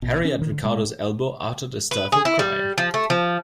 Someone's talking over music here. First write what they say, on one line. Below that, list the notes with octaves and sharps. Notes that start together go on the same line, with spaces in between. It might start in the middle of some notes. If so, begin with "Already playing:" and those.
Harry at Ricardo's elbow uttered a stifled cry.
A#1 B2
C#4
D3 D#3
D3
B2 G#3
B4
G#4
E4
G3
F3
A3
F3